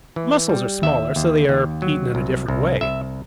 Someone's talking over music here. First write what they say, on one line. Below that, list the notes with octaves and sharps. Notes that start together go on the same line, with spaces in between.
Mussels are smaller, so they are eaten in a different way.
E3
G3
D#2 E5
D#2
D#2
F#3
C2
C2
C2 E5